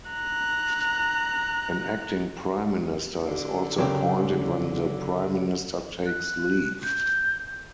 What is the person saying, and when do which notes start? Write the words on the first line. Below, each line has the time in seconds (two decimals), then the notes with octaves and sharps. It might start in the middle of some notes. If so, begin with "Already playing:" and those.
An acting Prime Minister is also appointed when the prime minister takes leave.
0.10 A#5 F#6
3.25 D3
3.78 F#2 A#2 C#3 F#3 C4 G4
6.05 F#6
6.82 G6